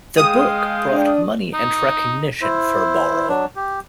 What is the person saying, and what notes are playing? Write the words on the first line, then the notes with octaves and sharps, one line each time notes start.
The book brought money and recognition for Borrow.
G#3 F5 G5 D#6
D4
D#4
E4 C5
F#3 D4
G4